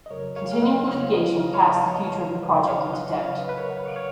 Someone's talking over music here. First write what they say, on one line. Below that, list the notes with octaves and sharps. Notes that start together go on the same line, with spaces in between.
Continuing litigation cast the future of the project into doubt.
D#5
F2 C#3 F#3 A#4 C#5
C#5 F5
F5
D#5 F#5
F2 C#3 F#3 C#5 F5
C#5
B4 D#5
F5
D#5
C#5 F5
F2 C#3 F#3 D#5 F#5
C#5
D#5
C#5 F5
F2 C#3 F#3 B4 D#5
C#5 F5
F5
D#5 F#5
F#2 C#3 F#3 C#5 F5
B4 D#5
B4
A#4 C#5
F#5
C#5 F5
C#5 F5